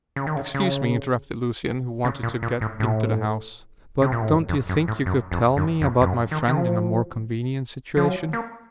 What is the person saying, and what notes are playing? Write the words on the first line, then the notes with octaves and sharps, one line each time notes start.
"Excuse me," interrupted Lucian, who wanted to get into the house, "but don't you think you could tell me about my friend in a more convenient situation?"
C#3
D#3
C#3
C#3
C#3
A#2
A#2
A2
A2
C3
A#2
A2
F#2
F2
F#2
A2
F#2
F2
F#2
F2
F2
F#2
D#3
D#3
F3
F3
F#3
A#3